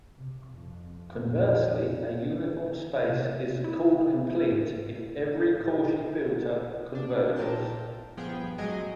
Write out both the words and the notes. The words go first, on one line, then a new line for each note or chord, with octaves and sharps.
Conversely, a uniform space is called complete if every Cauchy filter converges.
C3
F2
F2 A#2
C3
E4
A2
D4
A#2 A#4 G5 A5
G1 F3 B3 G#4 G5
A1 F#3 G#3 D#5 G#5 D7